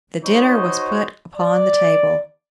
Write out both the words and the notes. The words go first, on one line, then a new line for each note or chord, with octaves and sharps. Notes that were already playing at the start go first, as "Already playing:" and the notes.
The dinner was put upon the table.
D#4 F#4 C5 C#5 D#5 C#6
D5